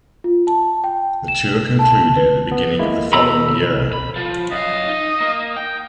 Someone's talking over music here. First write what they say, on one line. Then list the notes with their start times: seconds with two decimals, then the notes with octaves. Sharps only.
The tour concluded at the beginning of the following year.
0.24 F4
0.47 A5
0.84 G5
1.28 E7
1.79 A5
2.16 B4
2.52 B3
2.79 G#3 A#3 E4
3.13 B2 E4 A4 A#5 B5
3.93 B5
4.16 F3
4.52 F#2 D#5 F5
4.88 D#4
5.21 A#3
5.56 G5